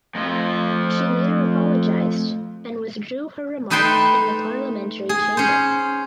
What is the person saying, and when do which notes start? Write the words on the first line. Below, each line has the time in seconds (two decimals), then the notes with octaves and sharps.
She later apologised and withdrew her remark in the parliamentary chamber.
0.15 F2 F3 A3
3.70 A3 D#4 B4 G5 A5 C6
5.09 G#4
5.37 C#4 C5